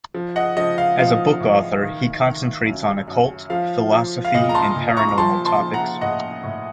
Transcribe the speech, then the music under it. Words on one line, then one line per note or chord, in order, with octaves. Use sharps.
As a book author he concentrates on occult, philosophy and paranormal topics.
F3
D#5 F#5
F3 D#5
F5
F3 F5
A2
D#3
D#3
F#2
F#2
F3 F5
F3
F5
A#2 D#5
A#5
A5 C6
A#2
A#5 C#6
A#5
F3 A5 C6
A5 C6
F3
F#5 A#5
A2 D#5 F#5
A2